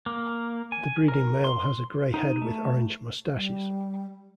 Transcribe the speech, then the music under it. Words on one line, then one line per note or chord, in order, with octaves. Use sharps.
The breeding male has a grey head with orange moustaches.
A#3
G#5
A#4
C6
D#4
A3
G3